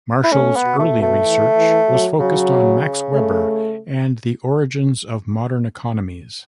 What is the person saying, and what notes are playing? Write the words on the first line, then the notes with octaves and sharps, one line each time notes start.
Marshall's early research was focused on Max Weber and the origins of modern economies.
E4
A3 C#4
B3
B2
A3
B2
A3
E3
E3
F#3
C#3 F#3
A3